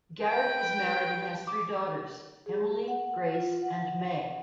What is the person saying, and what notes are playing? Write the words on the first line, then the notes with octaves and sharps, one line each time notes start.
Garrett is married and has three daughters, Emily, Grace, and May.
B4 G5
D6
G#4
F#5
F4
F#5